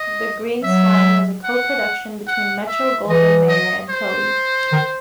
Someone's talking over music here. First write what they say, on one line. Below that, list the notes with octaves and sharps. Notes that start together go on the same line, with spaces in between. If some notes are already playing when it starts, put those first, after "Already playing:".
"The Green Slime" was a co-production between Metro-Goldwyn-Mayer and Toei.
Already playing: D#5
F#3 E5
F#5
F#5
E5
E3 D#5
D#5
C5
D#3